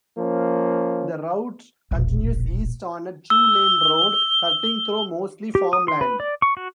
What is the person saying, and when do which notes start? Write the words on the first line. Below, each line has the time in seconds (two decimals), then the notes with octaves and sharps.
The route continues east on a two-lane road, cutting through mostly farmland.
0.18 F3 A#3 C#4
1.91 E1 A#1
3.30 E6 G7
5.55 G4
5.73 D#6
5.88 C6
6.01 B4
6.20 D5
6.42 C#6
6.57 F#4